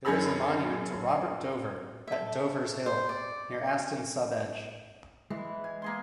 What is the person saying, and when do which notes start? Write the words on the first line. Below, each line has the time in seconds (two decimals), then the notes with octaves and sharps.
There is a monument to Robert Dover at Dover's Hill, near Aston-sub-Edge.
0.05 F#2 C#4 G#4 A4 B5 E6
2.08 A4 E5
2.86 C5
3.09 D5
5.30 E3 G#3
5.64 G#5
5.82 A#3 G#4 C6